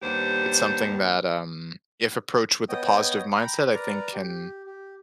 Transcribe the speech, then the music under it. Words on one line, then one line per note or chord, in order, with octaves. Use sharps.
it's something that, um, if approached with a positive mindset, I think can,
D#2 G3 B3 D4 G4 C5
B3 C#5 D#5 G5 D#6
G5 A#5 B5
A#4 B4 D5 A#5
G4
G4